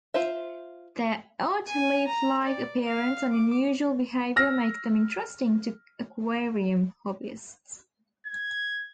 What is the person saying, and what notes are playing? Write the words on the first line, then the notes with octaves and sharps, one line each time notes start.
Their odd, leaf-like appearance and unusual behavior make them interesting to aquarium hobbyists.
F4 C5 E5
G#5
A#5
D5
F5
D6
E6 F6 A#6
G#6